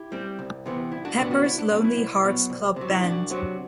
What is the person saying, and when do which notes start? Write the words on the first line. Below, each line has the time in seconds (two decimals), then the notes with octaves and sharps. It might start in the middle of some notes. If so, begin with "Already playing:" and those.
Pepper's Lonely Hearts Club Band.
Already playing: E4 G4
0.12 G3 C4
0.39 C2
0.66 C3 E3 B3
0.92 C2 E4
1.05 D4 F#4
1.18 C3 E3 B3 D4 F#4
1.31 D4 F#4
1.44 C2 E4
1.58 D4
1.71 B2 F#3 D4
1.84 E4
1.97 C2
2.24 B2 F#3
2.50 C2
2.76 C3 F#3
2.91 E4
3.03 C2 D4 F#4
3.30 C3 F#3